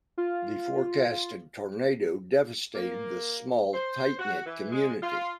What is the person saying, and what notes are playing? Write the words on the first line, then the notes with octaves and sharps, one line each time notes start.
The forecasted tornado devastated the small tight-knit community.
F4
A#3
C5
F#4
E3
G#3
F4